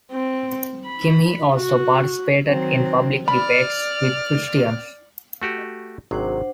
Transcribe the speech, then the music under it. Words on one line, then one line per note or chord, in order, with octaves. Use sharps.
Kimhi also participated in public debates with Christians.
C4
B5
F#4
D#3 F#3 C4
D5 B5 F6
A3 F#4 G4
G#1 C3 F#3 D4 C5 F#5